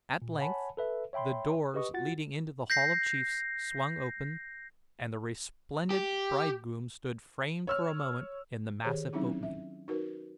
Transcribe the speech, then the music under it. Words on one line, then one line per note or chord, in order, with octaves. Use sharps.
At length the doors leading into The Hall of Chiefs swung open, and the resplendent bridegroom stood framed for a moment in the massive opening.
A#2
C#5 F#5 G#5 A5 B5
A4 B4 E5
C#5 E5 G5 B5 C6
G4 B4 D#5 C#6 D#6
F4 F#4 F#5 A6
G6 A#6 C7
G4
C#5 E6 F6
D#3 G4 G#4 C5 C#5
F#3 C4 C#4 D#4 E4
E5
D#4 F#4 A#4 B4